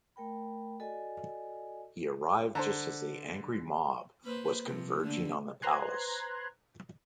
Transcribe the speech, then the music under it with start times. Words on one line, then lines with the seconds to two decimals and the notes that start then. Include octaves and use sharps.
He arrived just as the angry mob was converging on the palace.
0.16 A3 A#4 G5 B5
0.80 F#4 A4 D5 D#5 G#5
2.55 D3 C5 A5 A#5
4.24 A#3 B4 C5
4.65 C3 F3
5.03 D3 A3 A#3
5.62 B4 C5 A#5 C6 F#6 G#6